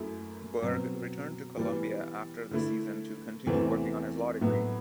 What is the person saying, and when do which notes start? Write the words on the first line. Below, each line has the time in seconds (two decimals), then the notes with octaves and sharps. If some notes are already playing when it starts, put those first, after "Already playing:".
Berg returned to Columbia after the season to continue working on his law degree.
Already playing: F#2 F#3 A3 E4
0.62 B2 F#3 C4
1.57 E3 G3 B3
2.51 D3 A3 E4
3.46 E2 C3 E3 A3 C4
4.41 A2 F#3 B3 F#4